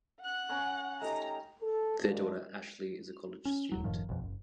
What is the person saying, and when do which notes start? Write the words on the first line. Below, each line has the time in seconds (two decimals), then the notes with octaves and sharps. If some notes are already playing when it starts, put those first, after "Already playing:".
Their daughter Ashley is a college student.
0.20 F#5 F#6
0.49 C#4 A#5 C#6
1.01 A3 D#4 G4 A#5
1.62 A4
2.00 G#2 D#3 A#3 D4
3.45 C#4
3.72 D#1 F#3
3.84 F#1 A2 D#3 F3
4.09 B1 F2
4.22 F#1